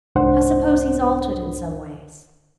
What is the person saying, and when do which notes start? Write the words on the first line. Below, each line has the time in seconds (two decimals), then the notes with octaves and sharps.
'I suppose he's altered in some ways?'
0.15 C2 F2 G#2 D4 C5 F#5